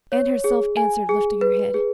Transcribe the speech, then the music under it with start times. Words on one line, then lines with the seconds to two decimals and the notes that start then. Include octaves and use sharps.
Anne herself answered, lifting her head.
0.12 C#5
0.44 G#4
0.77 G#5
1.09 G#4
1.41 B4
1.74 G#4